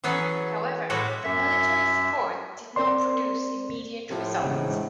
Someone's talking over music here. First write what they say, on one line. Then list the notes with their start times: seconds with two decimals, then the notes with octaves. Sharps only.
However, the military support did not produce immediate results.
0.04 E3 F#3 B3 C#4 G#4 A4
0.90 A2 G3 G#3 E4 F#4 A4
1.24 F#2 E5
2.76 C4 A#4 C5 D5 C6
4.10 A2 C3 F3
4.44 E1 G#2 C#3